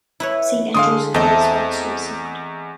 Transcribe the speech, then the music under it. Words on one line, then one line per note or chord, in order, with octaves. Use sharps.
"Saint Andrew's Fall" is about suicide.
E4 B4 C#5
D3 G#3 F5 C6 D#6
E2 A3 C4 D#5